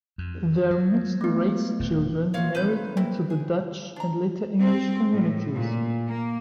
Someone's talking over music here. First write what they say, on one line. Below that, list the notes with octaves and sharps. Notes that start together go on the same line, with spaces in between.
Their mixed-race children married into the Dutch and later English communities.
F2
F#3
A3 B3
D#1
F3 A#3 F#4 C#5 F5
C3 D#3 B4 G6
A#3 C4 E4
G#4
D4 A#5
C4
A2
A#2
A#3